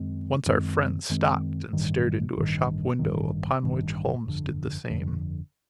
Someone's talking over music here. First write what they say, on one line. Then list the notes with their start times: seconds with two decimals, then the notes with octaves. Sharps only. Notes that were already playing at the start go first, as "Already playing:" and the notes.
Once our friends stopped and stared into a shop window, upon which Holmes did the same.
Already playing: F#2 D#3 G#3 C4
0.46 F#2 D#3 G#3 C4
1.10 F#2 D#3 G#3 C4
1.73 A1 G2 D#3
2.36 A1 G2 D#3
2.99 A1 G2 D#3
3.63 A1 G2 D#3
4.26 G1 F2 D3
4.89 G1 F2 D3